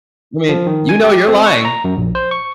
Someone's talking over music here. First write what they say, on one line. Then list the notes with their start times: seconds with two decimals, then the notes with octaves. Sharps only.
I mean, you know, you're lying.
0.49 F3
0.67 D#3
0.89 G#5
1.04 G4
1.28 C4
1.46 C#6
1.65 A#5
1.84 F#2
1.97 A#1
2.15 C5
2.31 C#6